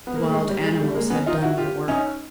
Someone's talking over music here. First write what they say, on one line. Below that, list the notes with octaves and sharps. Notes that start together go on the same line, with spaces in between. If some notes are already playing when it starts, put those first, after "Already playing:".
The wild animals had done their work.
B3
A#3
A3
G#3
G3
G#3
G3 A3
G#3 A#3
B3 C#4
D#4 F4
E4 F#4
F4 G4
C#4 D#4